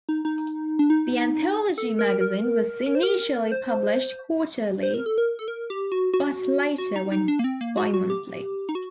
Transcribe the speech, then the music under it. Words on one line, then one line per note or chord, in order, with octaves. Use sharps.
The anthology magazine was initially published quarterly but later went bimonthly.
D#4
D#4
D4
D#4
A4
A#4
A#4
A#4
C5
A#4
C5
C5
A#4
A4
A#4
A4
A#4
G4
F#4
F#4
F#4
D#4
D#4
D4
A#3
C4
A#3
F#4
F#4
G4
D#4
F#4